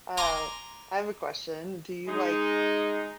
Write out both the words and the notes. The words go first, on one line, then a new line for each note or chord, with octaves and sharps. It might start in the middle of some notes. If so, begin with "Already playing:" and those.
Uh, I have a question, do you like
G#5 A#5 C6 D6
G#3 D#4